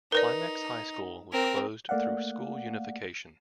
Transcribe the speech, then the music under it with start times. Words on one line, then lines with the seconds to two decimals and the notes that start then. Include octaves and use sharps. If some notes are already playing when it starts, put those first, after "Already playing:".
Climax High School was closed through school unification.
0.12 D#4 A#4 B4 D5
1.32 C4 A#4
1.89 A3 A#3 D5 F5 F#5